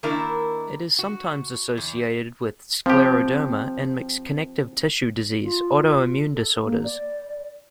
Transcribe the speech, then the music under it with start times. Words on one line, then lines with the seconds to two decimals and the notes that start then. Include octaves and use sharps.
It is sometimes associated with scleroderma and mixed connective tissue disease, auto-immune disorders.
0.03 D#3 A#3 D4 E4 A#4 E5
0.99 F#4
1.78 E2
2.86 F3 C4 G4
5.44 F4
6.34 A4
6.65 A#3
6.84 D5